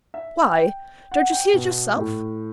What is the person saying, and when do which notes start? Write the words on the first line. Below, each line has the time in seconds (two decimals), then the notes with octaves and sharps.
Why, don't you see it yourself?
0.14 E5
0.43 G5
1.12 F#5
1.32 G5
1.53 B2
1.97 A2